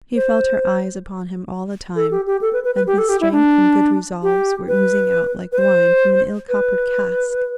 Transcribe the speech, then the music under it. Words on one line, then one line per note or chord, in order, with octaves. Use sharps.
He felt her eyes upon him all the time, and his strength and good resolves were oozing out like wine from an ill-coppered cask.
C5
A4
G4
G4
A4
B4
B4
B4
G4
A4
G4
E4
D4
G4
B4
B4
C5
B4